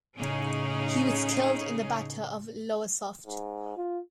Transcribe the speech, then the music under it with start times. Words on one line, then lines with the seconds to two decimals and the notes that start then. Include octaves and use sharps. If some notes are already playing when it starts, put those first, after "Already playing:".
He was killed in the Battle of Lowestoft.
0.16 A2 C#3 C#4 D#4 G#4
3.26 G#2
3.77 F4